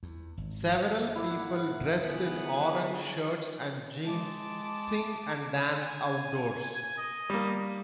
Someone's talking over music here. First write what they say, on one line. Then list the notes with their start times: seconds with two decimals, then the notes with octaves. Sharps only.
Several people dressed in orange shirts and jeans sing and dance outdoors.
0.03 E2
0.38 G#1
1.15 G#1 E4 A#4 F#5 D6
2.04 D3 B3 C#4 G#4
4.04 G#3 A5 D6
5.79 G#5
6.98 D#5
7.30 G3 A#3